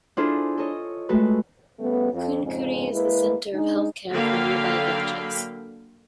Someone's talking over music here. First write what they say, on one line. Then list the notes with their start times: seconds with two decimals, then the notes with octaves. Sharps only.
Kunkuri is the centre of healthcare for nearby villages.
0.17 D4 E4 F4 G#4 A4 C5
0.57 A4 C#5 D#5
1.09 G#3 A3 F#4 A4 B4
1.80 C#3 G3 A3 B3
2.13 F2
2.43 F2 G#2 C#3 C4
2.92 G#3 A#3 E4 G#4 B4
3.53 G#3 D4 D#4
4.12 D3 F#3 A#3 F5 G5 B5